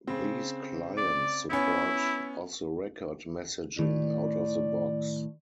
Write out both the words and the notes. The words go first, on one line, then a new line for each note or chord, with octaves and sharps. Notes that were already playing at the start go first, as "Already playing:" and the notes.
These clients support Off-the-Record Messaging out of the box.
C#3 C4
D5
B3 C#4 E4
A2 D#3 D5